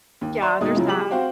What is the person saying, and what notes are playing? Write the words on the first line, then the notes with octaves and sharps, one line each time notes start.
Yeah, they're sad.
D#2
D5 E5 C6
D#2 B2 G#3 D#4 D#6
C#3 F3 F#3 G#3 E4 F4
G4 G#4 D6 B6 F#7
C4 F#4 C5 F5 G5